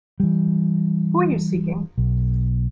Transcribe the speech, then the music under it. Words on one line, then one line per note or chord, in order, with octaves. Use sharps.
Who are you seeking?
E3 G3
B1